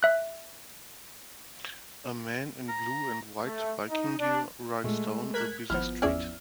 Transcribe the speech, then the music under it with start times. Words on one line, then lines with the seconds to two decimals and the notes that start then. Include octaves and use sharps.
A man in blue and white biking gear rides down a busy street.
0.03 E5 F#6
2.69 A#5
3.45 A3
3.90 D#4
4.19 D4
4.84 A#2 G#3 A3
5.34 A#4 F#6 G#6 B6
5.70 G#1 F3 B3 E4 C5 F6
6.02 E2 C#4 E4 G#4 D5 E6